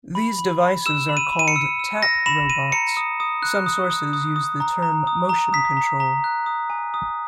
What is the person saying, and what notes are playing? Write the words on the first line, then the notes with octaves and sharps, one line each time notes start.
These devices are called tap-robots; some sources use the term motion control.
B5
B5
B5
E6 E7
B5
D#7
B5
D#7
C#7
E6
E6
E6 A#6
B5 E7
B5 D#7
A#5 C#7
D#6
D#6
F#6
D#6
D#6
D#6
D#6
A#5
A#5
D#6
A#5
D#6 B6
A#5
A#5
F#6
D#6
G#5
D#6